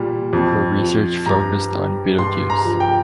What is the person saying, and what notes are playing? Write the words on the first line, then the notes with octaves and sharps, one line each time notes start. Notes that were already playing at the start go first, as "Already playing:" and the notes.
Her research focussed on Betelgeuse.
Already playing: A#2 G3
F2
F3
G2 A#5
G3
G2 C6
A#5
F3
G5